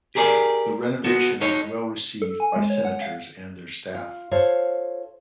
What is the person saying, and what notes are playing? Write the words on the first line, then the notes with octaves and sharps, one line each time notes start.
The renovation was well received by Senators and their staff.
G4 G#4 A#4 C#5 D5
B3 F#4 A4
D#4 A4 C#5
A4
G#5
G#3
C#5
F#5
F5
F4
F4 A4 C5 C#5